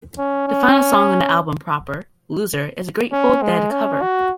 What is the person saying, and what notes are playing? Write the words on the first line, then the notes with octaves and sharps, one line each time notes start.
The final song on the album proper, "Loser" is a Grateful Dead cover.
C#4
C#4
C#4
G#3
C#4
F#4